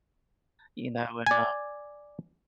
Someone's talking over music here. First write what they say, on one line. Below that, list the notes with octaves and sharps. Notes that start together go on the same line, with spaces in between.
you know, and, uh
D5 G#5